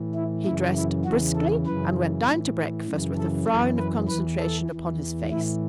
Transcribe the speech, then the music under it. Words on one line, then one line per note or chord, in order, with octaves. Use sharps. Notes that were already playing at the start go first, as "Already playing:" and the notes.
He dressed briskly and went down to breakfast with a frown of concentration upon his face.
Already playing: A2 E3
E4
F#2 C#3 E3 E4
E4
E2 C#3 E3 F#4
A4
F#2 C#3 E3 B4
A2 E3
F#2 C#3 E3
A4
F#2 E3 A4
B4
E2 E3 B4
A4
E2 E3
A2 E3 E4